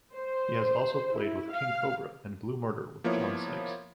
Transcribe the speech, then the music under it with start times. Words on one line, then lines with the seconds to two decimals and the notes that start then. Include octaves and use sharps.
He has also played with King Kobra and Blue Murder with John Sykes.
0.13 C5
1.15 E4
1.51 F5
3.04 F3 A#3 B3 E4 C#5